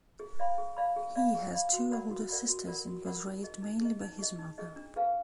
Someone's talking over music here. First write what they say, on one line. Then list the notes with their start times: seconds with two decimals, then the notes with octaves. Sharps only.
He has two older sisters, and was raised mainly by his mother.
0.20 G#4
0.39 D5 F5 B5
0.58 G#4
0.77 D5 F5 B5
0.96 G#4
1.15 D5 F5 B5
1.35 G#4
1.53 D5 F5 B5
1.73 F#4
1.91 A#4 D5 F#5 B5
2.10 F#4
2.29 A#4 D5 F#5 B5
2.49 F#4
2.67 A#4 D5 F#5 B5
2.87 F#4
3.05 A#4 D5 F#5 B5
3.25 D#4
3.43 G#4 D#5
3.62 D#4
3.81 G#4 D#5
4.01 D#4
4.19 G#4 D#5
4.39 D#4
4.58 G#4 D#5
4.76 D4
4.96 G#4 B4 F5 G#5